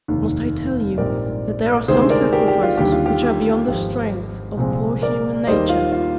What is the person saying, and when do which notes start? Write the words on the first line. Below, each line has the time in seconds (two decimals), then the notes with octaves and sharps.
Must I tell you that there are some sacrifices which are beyond the strength of poor human nature?
0.08 F1 D#2 D#3
0.98 A#1 G#2 G3 C4 A#4 D5
1.88 D2 C3 D#3 G#3 C4 G#4 C5
2.10 A#4 D5
2.33 G4 A#4
2.48 G4
2.63 F4
2.77 D#2 D3 G3 G4
2.92 F4
3.06 G4
3.23 G4
3.68 G#1 G#2 F3 G4
4.57 C2 A#2 F3 G#3 C4
5.02 A#4 D5
5.47 D#2 D#3 G3 A#3 C5 D#5
5.69 F4
5.92 F4